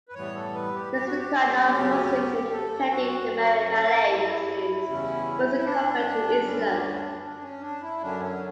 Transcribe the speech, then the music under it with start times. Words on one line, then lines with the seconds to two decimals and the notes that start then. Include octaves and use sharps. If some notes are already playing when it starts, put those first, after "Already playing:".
These require non-Muslims intending to marry Malay-Muslims first to convert to Islam.
0.09 B4
0.15 A2 E3 G3 B3 C#5
0.35 A4
0.55 B4
0.74 G4
0.93 G4
1.06 F#4
1.18 G4
1.72 D2 C#3 F#3 C#4
2.51 A4
2.90 F#4
3.29 C#3 F#3 C#4 F#4
3.69 A4
4.08 E4
4.87 E2 C#3 G3 C#4
5.57 E4
5.65 D4
6.44 D2 D3 G3 C#4
7.23 D4
7.42 C#4
7.61 D4
7.82 E4
8.01 F#2 D3 F#3 C#4 D4
8.20 C#4